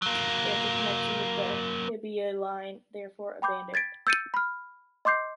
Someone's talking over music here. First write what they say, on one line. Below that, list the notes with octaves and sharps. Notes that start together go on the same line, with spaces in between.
The interconnection with the Hibiya line is therefore abandoned.
F#3 A#3
G5 B5 D6 G6
G#6 A6 B6 D7
E6 G6 A6 C#7 D#7
B5 F6
D#5 C6 D6 G6 C7